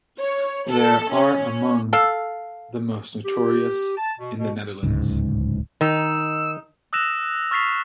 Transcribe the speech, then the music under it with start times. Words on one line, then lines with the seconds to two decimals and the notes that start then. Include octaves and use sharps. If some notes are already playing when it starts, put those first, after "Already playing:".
They are among the most notorious in the Netherlands.
0.21 C#5
0.71 A4
1.13 C#4
1.93 A4 F5
3.25 G4
3.98 A5
4.19 B2
4.38 B2
4.83 D1 C#2 G#2
5.81 D#3 D#4 E6
6.93 D#6 E6 F#6 A#6 E7 F7
7.51 C#6 F6 A6 B6 C7 F7